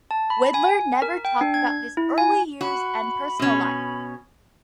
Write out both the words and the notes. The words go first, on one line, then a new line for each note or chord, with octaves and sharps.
Widlar never talked about his early years and personal life.
A5
B5
G#5
A#4
G5
D4
G#6
E4
G#5
F#4 B5
B2 C#4